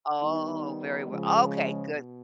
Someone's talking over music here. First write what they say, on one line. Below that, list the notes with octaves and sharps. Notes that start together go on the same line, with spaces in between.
Oh, very w okay, good.
D#3 G3 B3 D#4
C#3 F3 G#3
B2